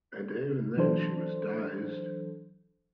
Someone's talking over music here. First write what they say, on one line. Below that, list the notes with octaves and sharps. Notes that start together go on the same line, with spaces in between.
And even then she was dazed.
E3 F#3 D4 A4 C5